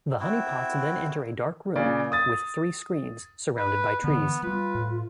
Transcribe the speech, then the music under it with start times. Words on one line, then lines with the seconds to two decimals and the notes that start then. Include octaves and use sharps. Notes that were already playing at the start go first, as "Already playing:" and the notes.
The honey pots then enter a dark room with three screens surrounded by trees.
0.20 C4 E4 F#4
1.76 A#2 C#3 D5
2.12 D#6 A6
3.57 B4
4.04 D3 E3 B3
4.43 G3 G#3 F4 B4
4.75 A2